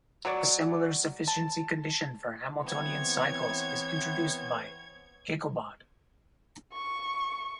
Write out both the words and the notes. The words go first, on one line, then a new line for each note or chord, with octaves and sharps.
A similar sufficiency condition for Hamiltonian cycles is introduced by Kaykobad.
F#3 F#4 C#5 D5
A5
E3 B3 C4 C#5 G#6
C#6